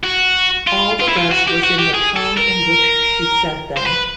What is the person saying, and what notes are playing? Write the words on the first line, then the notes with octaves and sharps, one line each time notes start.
All the rest was in the tone in which she said them.
F#4
F4
F4
E4
F4
F#4
G4
F#4
G4
G#4
A4
A#4
C5
B4